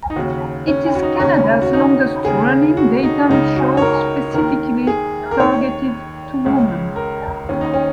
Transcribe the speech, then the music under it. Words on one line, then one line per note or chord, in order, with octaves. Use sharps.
It is Canada's longest running, daytime show specifically targeted to women.
D#4
D#2 C#3 F#4
C#4
F#4
D#4
D#2 C#3 C#4
F#4
D#4
D#2 C#3 G#4
F#4
D#4
C#2 C#3 D#4
F#4
C#5
A#4
D#2 D#3 A#4
G#4
A#4
D#2 D#3 C#5
C#2 C#3
A#4
D#2 D#3 C#4
D#4
C#4